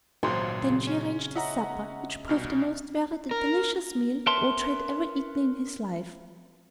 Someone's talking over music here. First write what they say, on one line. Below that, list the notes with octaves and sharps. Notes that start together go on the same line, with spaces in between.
Then she arranged his supper, which proved the most varied and delicious meal Ojo had ever eaten in his life.
G#1 C#2 A#2 F#3 C6
C#3
C#4
C#4 D#5 E5 F#5 A#5
C2 B2 F6
A#4
A#4 B4 C#5 E5 A5 C6